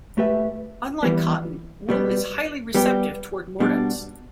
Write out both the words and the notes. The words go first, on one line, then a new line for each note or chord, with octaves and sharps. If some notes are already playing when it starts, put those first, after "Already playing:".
Unlike cotton, wool is highly receptive toward mordants.
A2 A3 G4 B4 E5
E2 E3 G3 B3
B2 G3 B3
G3 B3 G4
B2 G3 D4